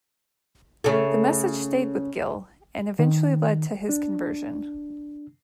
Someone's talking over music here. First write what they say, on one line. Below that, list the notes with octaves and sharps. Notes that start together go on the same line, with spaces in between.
The message stayed with Gill and eventually led to his conversion.
C#3 A3
D#3
D4